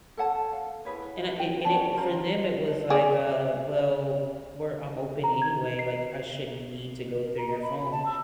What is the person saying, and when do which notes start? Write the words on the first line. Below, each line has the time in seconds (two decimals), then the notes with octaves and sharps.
and I and it and it for them, it was like, uh, "Well, we're I'm open anyway, like, I shouldn't need to go through your phone,"
0.17 A4 C#5 F#5 A5
0.53 F5
0.85 E4 G#4 B4 C#5
1.40 G5
1.65 C#4 D5 F#5 A5
1.96 F4 C5 A#5
2.90 G#4 D5
5.24 A#5
5.42 G#6
5.79 C7
7.23 A#4
7.38 A#5
7.51 D#5
7.63 B5
7.78 B5
7.92 A5
8.06 E6